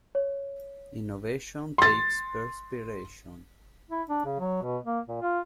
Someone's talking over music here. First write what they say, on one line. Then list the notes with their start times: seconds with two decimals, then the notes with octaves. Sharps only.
Innovation takes perspiration.
0.15 C#5
1.78 C6 A6
3.91 E4
4.08 D4
4.25 C#3
4.39 F#3
4.62 B2
4.85 A#3
5.08 A#2
5.21 F4